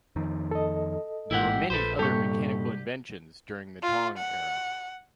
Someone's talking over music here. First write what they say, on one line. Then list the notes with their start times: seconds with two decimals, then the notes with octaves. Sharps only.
There were many other mechanical inventions during the Tang era.
0.16 F2 D#3
0.51 A4 D#5
1.31 A1 G#2 E4 G4 F#5
1.70 A#1 A4 B4 C5
1.99 C2 G2 A#2 G4 A4 C#6
3.83 F4
4.18 F#5